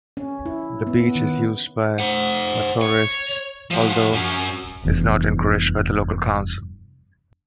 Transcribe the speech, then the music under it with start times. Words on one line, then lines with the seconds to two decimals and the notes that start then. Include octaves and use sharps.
The beach is used by naturists, although is not encouraged by the local council.
0.17 C#4
0.46 E4
0.87 B3
1.00 B3
1.15 D#3
1.99 C5 F#5
2.81 C#5
3.71 F3 F#4
4.13 F#2 F#3
4.85 F1 E2 G2